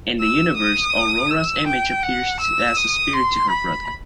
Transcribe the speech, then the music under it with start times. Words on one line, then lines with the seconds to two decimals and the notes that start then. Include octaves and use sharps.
In the universe, Aurora's image appears as a spirit to her brother.
0.20 E6
0.57 D#6
1.30 E6
1.67 G5
2.03 F#5
2.40 E6
2.77 D#6
3.13 C6
3.50 B5